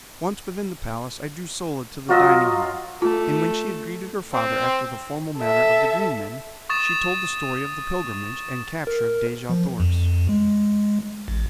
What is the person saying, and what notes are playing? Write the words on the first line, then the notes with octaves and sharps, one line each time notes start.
Once within the palace, I drew Sola to the dining hall, and, when she had greeted her father after the formal manner of the green men, she told the story of the pilgrimage and capture of Dejah Thoris.
F#3 F4 D#5 E6
A3 F4
C4
A4 E5
C#6 D#6 A6 E7
A#4
F3
F2
G#3
A1